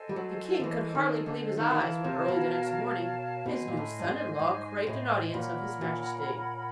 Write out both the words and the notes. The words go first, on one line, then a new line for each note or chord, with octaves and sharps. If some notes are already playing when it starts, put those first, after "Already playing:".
The king could hardly believe his eyes when, early the next morning, his new son-in-law craved an audience of his Majesty.
Already playing: A4 C5 D#5 G#5
G3
F#3
F3
E3
D#3
D3
D#3 A#4 C#5 F5 A5
D#3
E3
C3
B2
B2 C5 D#5 G#5
A#2
A2
G2
G#2
G#2
A2
A#2 A#4 C#5 F#5 B5
A#2